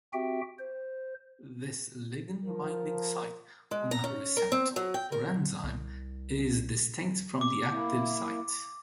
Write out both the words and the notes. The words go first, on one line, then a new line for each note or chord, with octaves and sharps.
This ligand-binding site on a receptor or enzyme is distinct from the active site.
C4 F#4 G4 E5 G5
C5
F3 A#4
G#3
A#5
C#4
A#4
C4
F#3
G5
A#4
C2
D6
A#3 E4